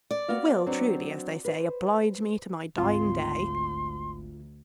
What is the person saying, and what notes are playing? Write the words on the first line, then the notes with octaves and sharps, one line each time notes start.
You will truly, as they say, oblige me to my dying day.
D5
B3 F#4 F5
F#3 C4 D4
B4 C5
G#1 D2 F4 C6